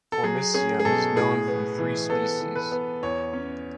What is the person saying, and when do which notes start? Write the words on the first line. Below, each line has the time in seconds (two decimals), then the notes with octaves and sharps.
"Formicium" is known from three species.
0.12 A4
0.23 F#3 G#4
0.54 C#4 G#4
0.79 G#4
0.85 B2 A4
1.16 A2 G#4
1.48 B3
1.78 E3
2.10 B3 A4
2.40 E3
2.55 B4
2.72 B3
3.03 E2 C#5
3.33 C#4